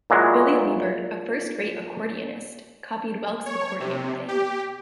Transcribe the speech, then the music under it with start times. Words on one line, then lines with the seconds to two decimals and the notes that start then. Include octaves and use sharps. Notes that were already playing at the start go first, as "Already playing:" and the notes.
Billy Liebert, a first-rate accordionist, copied Welk's accordion playing.
0.10 A#2 E3 F#3 G#3
3.46 C#5
3.80 C3
4.28 G4